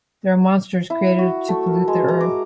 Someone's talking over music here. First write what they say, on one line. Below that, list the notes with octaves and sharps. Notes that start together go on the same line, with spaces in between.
The are monsters created to pollute the Earth.
E4
F#4
A3
A#4
G#3
A#5
D6